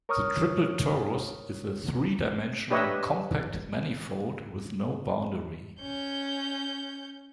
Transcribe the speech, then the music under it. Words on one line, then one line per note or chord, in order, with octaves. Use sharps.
The triple torus is a three-dimensional compact manifold with no boundary.
A#4 C#5 A#5 C#6 D#6 F6
D4 G4 B4 C#5 D#5 E5
C#4 G6